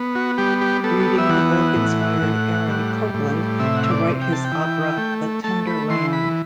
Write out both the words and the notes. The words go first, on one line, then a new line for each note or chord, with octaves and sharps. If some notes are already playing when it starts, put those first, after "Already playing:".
Reading the book inspired Aaron Copland to write his opera, "The Tender Land".
Already playing: B3
F#4
G3 G4
G4
B3 A4
E5
E3 F#5
A2
A2
G3
A2
C3 E5
F#5
E5
D5
C3
G5
A5
G5
E3
A3
A3 A5
B5
E3 C6
B5